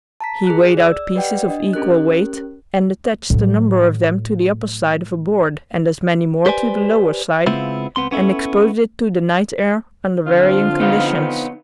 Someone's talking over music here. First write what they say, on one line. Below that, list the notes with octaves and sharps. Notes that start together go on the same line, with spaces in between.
He weighed out pieces of equal weight and attached a number of them to the upper side of a board and as many more to the lower side, and exposed it to the night air under varying conditions.
A5 A#5 B6
G#4 F#6
D5 E6
G4 B4 D5 D#5 F#5 G5
D4 D#5
C#4 G4 A#4 F#6
A2 F#3
G4 B4 C5 D5 G#5
C#3 G#3 B3 C4 E4 F4
C#2 B3 C4 C6
B3 C#4 E4 A4
D3 F3 C4 F4
B3 D#4 F5